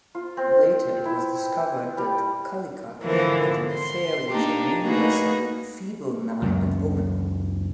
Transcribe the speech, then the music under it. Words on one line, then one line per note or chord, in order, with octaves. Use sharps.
Later, it was discovered that Kallikak had an affair with a "nameless feeble-minded woman".
F4
C4
E4
G3
G#2 D3 E3 F3 A#3
C6
A#3 D4 D#4 G4
A3 A#3 D#4 F#4 G#4 B4
C#2 F#2 A#2 C#3